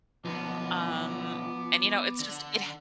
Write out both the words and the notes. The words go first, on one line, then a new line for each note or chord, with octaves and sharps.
um, and, you know, it's just it ha
B1 D3 F3 B3 D6
D3